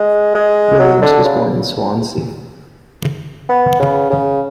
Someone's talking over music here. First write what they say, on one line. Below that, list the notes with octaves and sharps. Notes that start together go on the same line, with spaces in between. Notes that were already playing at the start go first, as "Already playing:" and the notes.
Williams was born in Swansea.
Already playing: G#3
G#3
F#3
D3
C#3
B3
C#3
C#3